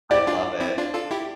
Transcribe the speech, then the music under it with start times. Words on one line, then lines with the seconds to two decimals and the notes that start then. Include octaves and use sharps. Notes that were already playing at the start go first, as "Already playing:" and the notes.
I love it.
0.11 E4 G4 D5
0.27 D4 F4
0.60 C4 E4
0.78 D4 F4
0.94 F4 A4
1.11 E4 G4